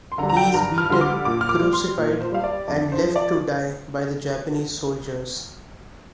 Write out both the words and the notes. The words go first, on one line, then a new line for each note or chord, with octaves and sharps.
He is beaten, crucified, and left to die by the Japanese soldiers.
C6
D3 G3 A#5
A#5
G5
G2 A#5
F6
D3 G3 C6
D6
A#2 D6
F6
D6
G3
C6
A#2
C5
G3 F5
D5
F2 D5
C5
F3
D5